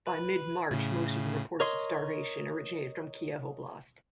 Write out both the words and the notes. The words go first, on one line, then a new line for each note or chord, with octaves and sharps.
By mid-March, most of the reports of starvation originated from Kiev Oblast.
B4
A2 C#3
A#4 C#5 D#5 C6